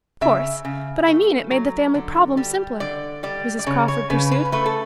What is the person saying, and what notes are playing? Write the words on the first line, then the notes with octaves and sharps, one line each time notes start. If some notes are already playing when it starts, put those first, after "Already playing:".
"Of course; but I mean it made the family problem simpler," Mrs. Crawford pursued.
C#3 E5
C#3
A3
F#3
D3
G3
D3 D5
G3 D5
D5
C#3 C#5
C#5
C#3 B4
B4
A3 B4
A4